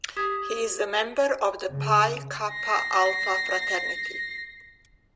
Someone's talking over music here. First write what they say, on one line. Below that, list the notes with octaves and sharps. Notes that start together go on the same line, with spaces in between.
He is a member of the Pi Kappa Alpha fraternity.
G4 D#6 G#6 B6
C#3
A#6 C7